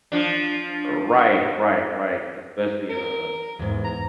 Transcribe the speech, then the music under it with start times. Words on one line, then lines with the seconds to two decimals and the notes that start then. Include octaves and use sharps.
Right, right, right especially in a, you know,
0.12 F3 D4
2.90 A#4
3.59 E2 G#2
3.84 A#5